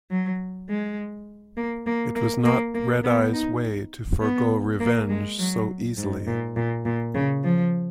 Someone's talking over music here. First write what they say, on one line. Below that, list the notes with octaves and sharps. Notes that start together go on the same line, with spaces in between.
It was not Red-Eye's way to forego revenge so easily.
F#3
G#3
A#3
A#3
A#3
A#3
A#3
B3
D#4
B3
A#3
G#3
F#3
G#2
A#2
A#2
A#2
C#3
F3